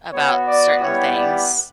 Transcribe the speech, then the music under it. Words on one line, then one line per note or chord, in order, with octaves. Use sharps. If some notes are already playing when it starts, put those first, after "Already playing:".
about certain things,
B3 F#4 C#5
D5
G3 B3 E4 G4 C#5
D5